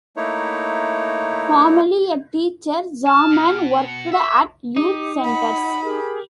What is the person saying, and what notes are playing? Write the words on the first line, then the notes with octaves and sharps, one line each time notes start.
Formerly a teacher, Zaman worked at youth centres.
A3 A#3 D#4 E4 C#5
A5 F6
B2
C#7
E5 E6
D#4 G4 D6
F#5 B5
G4 G#4 A#4